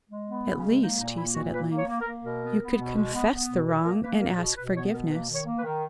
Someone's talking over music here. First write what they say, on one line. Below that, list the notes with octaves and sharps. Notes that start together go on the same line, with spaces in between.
"At least," he said at length, "you could confess the wrong, and ask forgiveness."
G#3
B3
C#3
C#4
G#3
A#3 D#4
A#2 D#4
A#3 E4
A#2 F#4
A#3 B4
A#3
C#5
A#3
A#4
A#3
B2 A#4
B3
B3
B2
G#3
B3
B3
B2
A#2 A#4
A#3 A#4
A#3 B4
A#2 A#4
B2 G#4
B2 B4
B3 C#5
B2 A#4
A#3 B4
D#3
C#5
A#3
B4
D#3